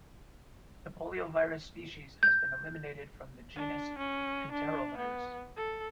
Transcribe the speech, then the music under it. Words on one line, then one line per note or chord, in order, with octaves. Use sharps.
The Poliovirus species has been eliminated from the genus Enterovirus.
G6
D4
C#4
D4
B3
A4